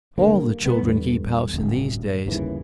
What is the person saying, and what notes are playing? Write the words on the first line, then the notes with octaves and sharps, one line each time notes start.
All the children keep house in these days.
D3 G3 A#3
C2 B3
E2 G2 D3
D1 G1 F#2
G1 D#2 C#3 E3